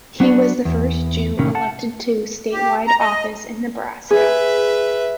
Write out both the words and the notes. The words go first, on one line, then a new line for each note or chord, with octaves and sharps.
He was the first Jew elected to statewide office in Nebraska.
F#3 B3 D4 F#4 D5
E2
A2 C3 D#3 A#3 C#4
F#5 A5
G4
A#5
D#5
G#4 B4 E5